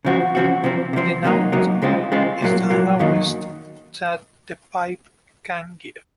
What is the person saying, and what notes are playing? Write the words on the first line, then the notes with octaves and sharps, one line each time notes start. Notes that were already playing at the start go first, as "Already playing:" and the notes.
The note is the lowest that the pipe can give.
C#3 F3 C4 F#4
C#3 F3 C4 F#4
C3 F3 C4
C3 F3 C4
C#2 C3 F#3 A#3 D#4
C#2 C3 F#3 A#3 D#4
C#2 C#3 G#3 C4 F4
C#2 C#3 G#3 C4 F4
C2 A#2 F#3 A#3
C2 A#2 F#3 A#3
F#2 D#3 F#3 A#3